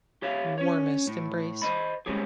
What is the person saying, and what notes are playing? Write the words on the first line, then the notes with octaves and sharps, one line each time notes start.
Warmest embrace.
G4 C#5 E5 F5
C#4 C#5
A2
C5 D#5 B5
G3 G#3 C4 C#4 G4 G#4